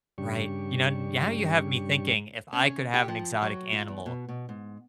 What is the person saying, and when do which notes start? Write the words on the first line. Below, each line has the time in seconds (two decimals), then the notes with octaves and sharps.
Right. You know now you have me thinking, "If I could have an exotic animal,
0.18 G2 C#3 G3 D4 G4 C#6
2.53 C#4
2.94 G4
3.08 F3
3.42 F#3
3.73 F4
3.88 E2
4.06 B2
4.29 B2
4.49 G#2